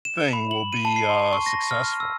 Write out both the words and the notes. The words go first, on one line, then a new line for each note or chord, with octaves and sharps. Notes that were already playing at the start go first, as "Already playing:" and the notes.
thing will be, uh, successful?
E7
B5
F#7
D#7
A5
C7
C6
C#6
A#6
F6
E6